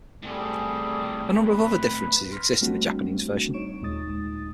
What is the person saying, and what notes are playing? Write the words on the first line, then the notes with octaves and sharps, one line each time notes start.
A number of other differences exist in the Japanese version.
A2 C3 G3 G#4 A4
B4 B5
C6 F6 A#6 B6
G3 A3 C4 D4 F#4
D#4 C#5 C#6 D7 E7
D#2 A#2 G#3 D#4 D#6 A6